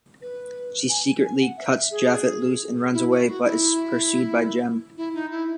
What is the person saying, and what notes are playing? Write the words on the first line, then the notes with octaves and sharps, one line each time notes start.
She secretly cuts Japhett loose and runs away, but is pursued by Jem.
B4
G#5
G#5
F#5
E5
G#4
E4
F#4
F#4
E4
E4
D#4
E4